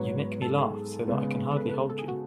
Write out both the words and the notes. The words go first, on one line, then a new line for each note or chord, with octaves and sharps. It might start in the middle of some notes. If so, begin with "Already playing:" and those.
You make me laugh so that I can hardly hold you!
Already playing: G#2 F#3 B3 B4 C#5
A4
G#4
C#3 G#3 B3
A4
B4
B4
A4
A4
G#4
F#4